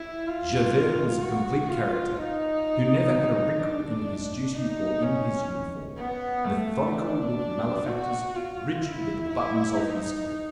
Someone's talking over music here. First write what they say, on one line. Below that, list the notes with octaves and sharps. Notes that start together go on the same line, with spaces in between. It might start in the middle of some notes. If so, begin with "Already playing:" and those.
Javert was a complete character, who never had a wrinkle in his duty or in his uniform; methodical with malefactors, rigid with the buttons of his coat.
Already playing: E4
F4
F#4
F4
D#4
D4
D#4
C#4
B3
A3
D4
F#4
F4
E4
E4
D#4